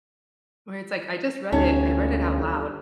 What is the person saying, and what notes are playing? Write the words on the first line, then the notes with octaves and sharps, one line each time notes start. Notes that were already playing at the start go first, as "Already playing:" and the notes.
where it's like, I just read it, I read it out loud,
G1 D2 C#4 D#4 D#5